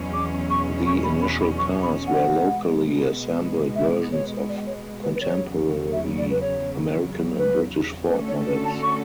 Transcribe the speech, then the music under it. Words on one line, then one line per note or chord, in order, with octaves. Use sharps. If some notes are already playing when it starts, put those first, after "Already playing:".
The initial cars were locally assembled versions of contemporary American and British Ford models.
Already playing: E2 B2 F#3 C#4
D6
C#6
C#6
B5
B5
B5
C#6
B5
F#5
B2 G#3 B3
E5
C#5
D5
C#5
B4
B4
E2 C#3 F#3 C#5
E5
D5
B4
C#5
B4
D3 A3 C#4 F#4 A4 B4
C#5
B4
A5
C#6